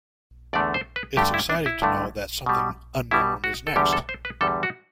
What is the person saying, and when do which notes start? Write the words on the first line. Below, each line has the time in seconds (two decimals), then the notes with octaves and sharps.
It's exciting to know that something unknown is next.
0.53 E2 D3 A3 D5
0.74 C5
0.96 B4
1.17 G2 D3 A3 G4
1.34 E4
1.50 D4
1.66 E4
1.82 G2 D3 A3
2.46 B2 G3
3.11 B2 G3 E4
3.44 F#4
3.67 A4
3.76 E2 D3 G3 G4
3.93 A4
4.09 C5
4.25 B4
4.41 E2 D3 G3 A4
4.63 F#4